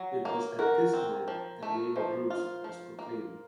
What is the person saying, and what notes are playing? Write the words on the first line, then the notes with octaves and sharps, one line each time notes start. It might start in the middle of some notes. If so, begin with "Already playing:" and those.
It was at this time the name Ruse was proclaimed.
Already playing: F#3
A#3
F#4 A#4
C4
F3
A3
F3 C5
F4
F3
A#3